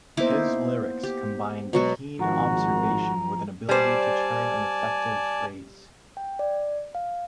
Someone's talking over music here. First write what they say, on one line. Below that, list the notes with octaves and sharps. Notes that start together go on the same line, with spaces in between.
His lyrics combined keen observation with an ability to turn an effective phrase.
A#3 B3 D#4 E4 C5 D6
G4
B2 F#3 G#3 B3 F#4
G#1 F3 F#4 A#5
G3 C5 D5 G#5 A5
G5
D5
F5